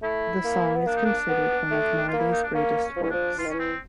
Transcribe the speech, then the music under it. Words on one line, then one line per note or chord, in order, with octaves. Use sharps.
The song is considered one of Marley's greatest works.
A3 E4
A#3
B3
A#3 D4
D#4
D4
B3
A3
F4
A#3
E4
D#4
D4
A#3 C#4
C#4
F3
E3 C#4
F3 D4
E3 F4
D#3
E3 C#4
C4